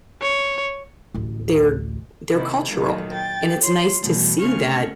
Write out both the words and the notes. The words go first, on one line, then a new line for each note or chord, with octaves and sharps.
they're they're cultural, and it's nice to see that
C#5
A1 D2
C3 D#3 A#3 E4
A#2 D#3 F#3 A3 A#3
G5 A6
F4 C#5 C6
E2 B2 E3 G3 A3
C#3 A3 C4 C#4 C#6 F6